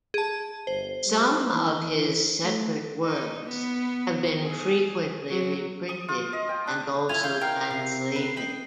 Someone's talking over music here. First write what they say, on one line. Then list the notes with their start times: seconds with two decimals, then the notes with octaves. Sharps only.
Some of his separate works have been frequently reprinted and also translated.
0.14 G#4 A5
0.67 G1 C5
1.06 G3
1.52 E3
2.44 A3
3.02 D#4
3.45 B3
4.39 G#4
5.29 F#3
5.89 D#6
6.08 F4
6.33 D#5
6.49 G5
6.67 D4
7.09 E4 F4 G#5 F7
7.24 F5 G6
7.41 A#4 F5 G5
7.70 C3 C7
8.16 B4
8.36 D#5 G5 B5